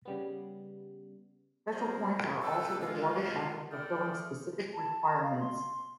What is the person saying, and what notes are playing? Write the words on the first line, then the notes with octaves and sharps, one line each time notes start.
Special points are also awarded after fulfilling specific requirements.
C#3 G3 B3
F#3 G3 G#4 A#4 C5
G#4 A4 F#5 G5 D6 E6
G#3 F4
E4 G#4 A4 D5 G5 F6
A5
F5
C6